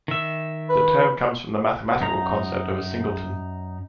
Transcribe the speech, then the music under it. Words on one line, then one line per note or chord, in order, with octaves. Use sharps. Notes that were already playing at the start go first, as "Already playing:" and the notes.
The term comes from the mathematical concept of a singleton.
D#3 E5
B4
F#2 D#4 A#5